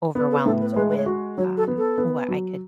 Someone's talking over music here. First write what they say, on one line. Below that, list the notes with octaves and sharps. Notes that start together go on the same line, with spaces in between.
overwhelmed with, um, what I could
B3 B4
A4
A2 A4
B4
C#5
G#3 B4
B4
C#5
F#4
F#3 C#5
A4
B3
A4
B3
F#3